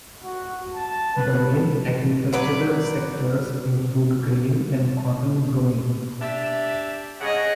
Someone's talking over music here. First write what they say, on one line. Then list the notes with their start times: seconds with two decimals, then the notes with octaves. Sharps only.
The main agricultural sectors include grain and cotton growing.
0.24 F#4
0.74 A5
1.16 B4
2.33 F#3 B4 D5
6.22 D4 G4 E5
7.21 C#3 G#4 D#5 F#5